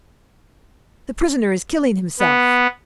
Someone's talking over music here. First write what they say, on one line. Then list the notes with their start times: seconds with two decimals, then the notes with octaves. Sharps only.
"The prisoner is killing himself!"
2.19 B3